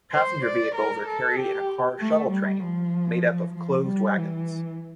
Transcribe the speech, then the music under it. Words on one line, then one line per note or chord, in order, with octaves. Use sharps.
Passenger vehicles are carried in a car shuttle train, made up of closed wagons.
C5
D5
A#4
A4
G4
A3
G3
F3
F3
G3
E3